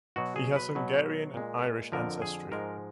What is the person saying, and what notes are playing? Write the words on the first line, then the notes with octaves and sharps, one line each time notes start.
He has Hungarian and Irish ancestry.
B2 F#3 F#4
G#4
B4
B2 F#3
A#2 G#3
F2 D3 F3 A#4
G#4
G#2 F3 G#3 A#4